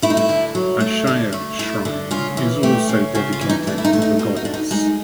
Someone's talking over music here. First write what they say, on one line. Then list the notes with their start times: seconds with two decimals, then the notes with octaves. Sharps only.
Ashiya Shrine is also dedicated to the goddess.
0.02 A3 E4
0.10 D#4
0.17 E4
0.29 D3
0.55 F#3
0.80 A3
1.07 D3
1.33 A3
1.59 A3 E4
1.85 D3
2.11 C#3 F4
2.37 E3
2.63 A3 G4
2.89 C#3
3.15 C#3 F#4
3.33 F4
3.41 E3
3.49 D#4
3.67 A3 D4
3.78 E4
3.85 D#4
3.93 A3
4.02 D#4
4.19 B2
4.36 D#4
4.45 D4
4.54 D#4
4.71 G#3 D#4